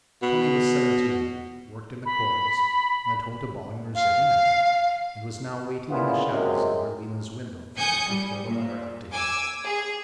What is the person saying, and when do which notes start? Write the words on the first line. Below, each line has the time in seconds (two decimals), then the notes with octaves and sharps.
Tommy was seventeen, worked in the quarries, went home to Ballinger's every night, and was now waiting in the shadows under Lena's window for her to throw the letter out to him.
0.22 B2
2.06 B5
3.95 F5
5.91 A1 A#2 C#3 B3 E4 F4
6.31 F#2 C3 G#3
7.77 G#5 D#6 G6 C#7
8.09 G3
8.46 A#2
9.11 G#5 D6 E6
9.63 G#4